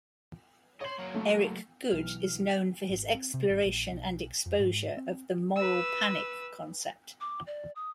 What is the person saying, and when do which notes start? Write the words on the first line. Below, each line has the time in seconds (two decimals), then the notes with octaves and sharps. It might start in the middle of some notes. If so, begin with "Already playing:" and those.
Erich Goode is known for his exploration and exposure of the "moral panic" concept.
0.81 C5 C#5 D#5 F#7
0.99 F#3 A#3
1.14 A3
1.91 B1 E3 F6
2.89 G#1
3.15 C4
3.34 C3
3.49 G#1
3.65 A#1
3.92 B1
4.46 F2
4.60 G#2
4.97 C4
5.56 B4 E6
7.21 D6
7.47 D5
7.76 D#6